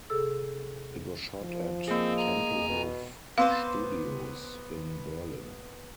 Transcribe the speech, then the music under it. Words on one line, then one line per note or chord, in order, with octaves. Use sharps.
It was shot at Tempelhof Studios in Berlin.
C3 G#4 A4 E6
F3
A#3 C4 G#4 D#5
G#5 A#5
B2
B3 C4 B4 C5 F5 C6 D6